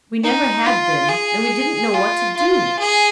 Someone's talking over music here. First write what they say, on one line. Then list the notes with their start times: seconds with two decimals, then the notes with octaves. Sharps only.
We never had been, and we didn't know what to do.
0.24 D#4
0.67 F4
1.09 G#4
1.94 F4
2.37 F4
2.79 G#4